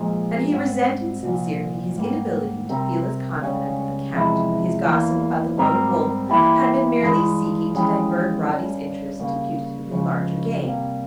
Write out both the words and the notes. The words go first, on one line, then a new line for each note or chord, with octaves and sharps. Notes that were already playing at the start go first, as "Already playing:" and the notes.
And he resented sincerely his inability to feel as confident that the Count, with his gossip about the Lone Wolf, had been merely seeking to divert Roddy's interest to putatively larger game.
Already playing: A#2 F3 G#3
G#2 G3 C4
C2 A#2 F3
G#2 G3 A#3
C3 G3 C4 G4 A#4
C#2 C#3 G3 C#4
E2 C3 F3 G#3 E4
E2 E3 A#3
G#2 G3 C4 G4 A#4
G2 E3 A#3 E4 G4
G2 E3 G#3
F2 E3 G#3 C#4 G4
G2 G3 C#4
C#3 G3 A#3
C#2 C#3 F3
C3 G3 A#3